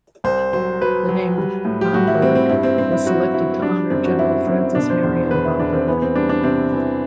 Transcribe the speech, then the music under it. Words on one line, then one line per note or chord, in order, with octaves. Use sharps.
The name Bamberg was selected to honor General Francis Marion Bamberg.
C2 C5
F#3 C5
F#3 B4
F#3
G3
A2
G4
A2 F#4
E4
G3 C4
C4
G2 E4
C4
G2 C4
E4
F#3 F#4
F#3 E4
G3 D4
F#2 C4
F#4
F#2 E4
F#2 C4
B2 D4
C5
E2 C5
E2 B4
E4
E2 D4
C4
E3 B3
C4
G3 D4
D4
C3 C4
E3